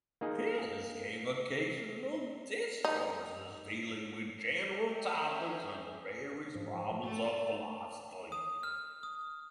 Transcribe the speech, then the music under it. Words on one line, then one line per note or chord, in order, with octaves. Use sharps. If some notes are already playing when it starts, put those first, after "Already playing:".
His gave occasional discourses, dealing with general topics and various problems of philosophy.
A#3 D#4 G#4
D#4
E5 G5
C#4
G#2 F3
A3 A5
D#6
F6
D#6